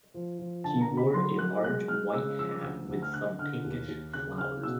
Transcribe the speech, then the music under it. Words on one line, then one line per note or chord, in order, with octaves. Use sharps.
She wore a large white hat with some pinkish flowers.
F3
F3
D3 A5
A#5
D3
B5
F#3 C6
F#3 F#6
G#3 F#6
G#3 F6
C#3 E6
F3 E6
D2
D2
F6
D3 F#6
D3 F6
D#2
D#2
C#3 F#6
C#3 F6
B2 E6